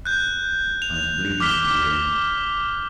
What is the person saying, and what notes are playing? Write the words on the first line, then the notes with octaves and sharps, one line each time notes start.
I’m bleeding Julia.
F#6 G6
F7
D6 F6 B6 G7